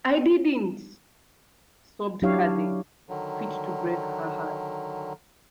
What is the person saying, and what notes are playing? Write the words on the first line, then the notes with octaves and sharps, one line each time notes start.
'I didn’t!’ sobbed Cathy, fit to break her heart.
F#3 D4 E4 G4 C#5 F5
D3 D#3 F#3